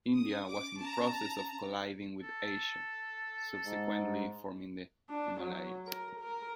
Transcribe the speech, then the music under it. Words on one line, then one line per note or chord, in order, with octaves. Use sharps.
India was in the process of colliding with Asia, subsequently forming the Himalayas.
C#4 D#6
D6
A5 A#5
A4
G#2
D4
F#3
A#4
A#4